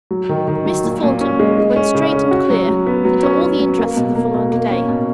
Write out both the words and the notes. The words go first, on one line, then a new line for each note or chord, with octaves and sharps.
Mr. Thornton went straight and clear into all the interests of the following day.
F#3
D#3
D#3
F#3
A#2
A#2
C#4
G#3
G#3
C#4
C#3
C#4
F#4
F#3
F#3
B3
F#3
C#4
C#4
F#3
A#3
B2
A#3
B2
A#3
C#4
B2